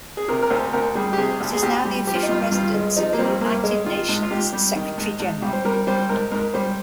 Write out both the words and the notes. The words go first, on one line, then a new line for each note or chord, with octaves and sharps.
It is now the official residence of the United Nations Secretary-General.
G#4
C3 A#4
A#4
D2 C5
D2 A#4
G3 G#4
G4
C3 G#4
D2
G#4
D2 G4
G3
F3 G4
F4
D#4
G2 F4
G2 F4
G#3
F3 D#4
A#3
G2 C4
G2 A#3
G#3
D#3 F4
G#2
F4
G#2 G4
G3
D#3
G#2
G#2
G3
C5
G3 A#4
G3 C5
G#2 A#4
G#2 A#4
G3 C5